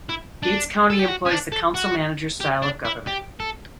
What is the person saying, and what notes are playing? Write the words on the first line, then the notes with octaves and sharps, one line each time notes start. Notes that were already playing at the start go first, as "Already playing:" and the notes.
Gates County employs the Council-manager style of government.
E4
D4
A4
G4
F#4
C#4
D4
A4
F#4
G4
D4
E4
G4
A4